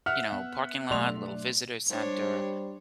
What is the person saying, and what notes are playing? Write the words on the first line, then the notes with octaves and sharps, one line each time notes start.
you know, parking lot, little visitor center,
E5 F#5 F6 F#6 F7
B3
B2 F#3 A3 D5 C6 F7
D4
G3 D4 C5 C#5